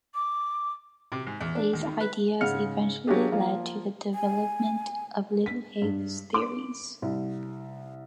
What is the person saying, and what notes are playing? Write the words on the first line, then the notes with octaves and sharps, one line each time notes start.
These ideas eventually led to the development of little Higgs theories.
D6
C3
G#2
E2
D4
D#2
D#3
B4
G#2 C#3 F#5 F6 C#7
F#3 G#3 A#3 D4 G4 G#4
F3 A#3 F4
G#5
B6
G2
D6
C2